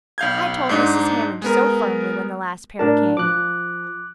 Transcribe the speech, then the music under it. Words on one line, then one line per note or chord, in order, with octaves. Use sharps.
I told Mrs. Hammond so firmly, when the last pair came.
B1 F5 G6 G#6
G#2 D4 D#4
G#3 B3 A#4
A2 D4 A#4 A5
F3 D6 F#6